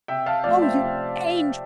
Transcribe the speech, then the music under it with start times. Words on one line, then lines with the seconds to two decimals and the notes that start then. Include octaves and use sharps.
Oh, you angel!
0.08 C3 E5 G5
0.26 F5 A5
0.44 F3 A3 D5 F5
0.62 C5 E5
0.80 C3